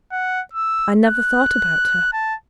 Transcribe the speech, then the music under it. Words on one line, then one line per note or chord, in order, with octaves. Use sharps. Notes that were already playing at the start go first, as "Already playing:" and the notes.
'I never thought about her.
F#5
E6
F#6
A5